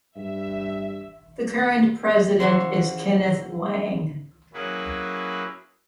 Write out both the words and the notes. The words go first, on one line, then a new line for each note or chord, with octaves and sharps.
The current President is Kenneth Wang.
G2 E5
C#3 E3 F#4 C5
F#3 A#3 C#4 E4 G#4 B4